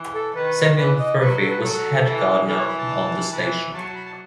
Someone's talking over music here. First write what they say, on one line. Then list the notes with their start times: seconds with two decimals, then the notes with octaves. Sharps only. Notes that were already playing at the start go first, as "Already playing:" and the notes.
Samuel Furphy was head gardener on the station.
Already playing: E3
0.14 A4
0.35 D#3 B4
0.78 E3 B4
0.99 D#5
1.20 F#3 B4
1.41 A4
1.50 B4
1.59 F#3 A4
2.04 E3
2.47 E3 A4
2.58 C#5
2.68 B5
2.78 A5
3.31 E3
3.74 F#3 A5
3.84 A5
3.95 B5
4.05 A5